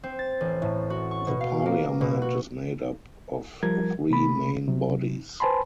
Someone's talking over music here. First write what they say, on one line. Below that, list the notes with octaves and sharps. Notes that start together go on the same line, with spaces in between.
The Parliament is made up of three main bodies.
C4
A6
A1
A2
F#4
C#6
B2
F5
A#3
B2
F#4
F3 G3 A#4 G#6
C3 A3 B5
C3 F#3
B4 C5 G#5 A5 B5 C6